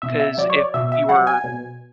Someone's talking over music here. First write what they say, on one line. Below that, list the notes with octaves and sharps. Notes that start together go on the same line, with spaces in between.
'Cause if you were
B2 E5
E5
F#3 D5
C#5
D5
B2 E5
E5
F#3 F#5
G#5
B2